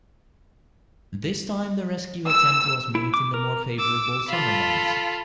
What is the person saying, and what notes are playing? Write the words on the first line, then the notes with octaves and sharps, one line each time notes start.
This time the rescue attempt was made in the more favourable summer months.
E6
E4
D6
A#4
D6 E6
F4 A4 B5